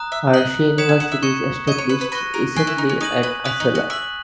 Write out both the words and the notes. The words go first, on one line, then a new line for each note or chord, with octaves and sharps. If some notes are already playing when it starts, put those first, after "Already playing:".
Arsi University is established recently at Asella.
Already playing: A#5 D#6 F#6
E5
D#5 F#6 B6 F#7
C#5 D#6 G#6 B6 E7
G#5
F#5
E5
D#5 C#6 G#6 C#7
D#5 C#6 G#6 D#7
C#5
B4
B4
B4 C#6 F#6 A#6 D#7
A#4
G#4 G#5 C#6 F#6 B6
E4
D#4
C#4
D#4 D#6 G#6 D#7 F#7
B4
C#4 D#6 F#6 B6 F#7
D#4
F#4
E5 F#6 B6 F#7